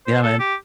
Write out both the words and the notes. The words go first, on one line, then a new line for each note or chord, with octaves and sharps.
Yeah man.
C5
A4
G4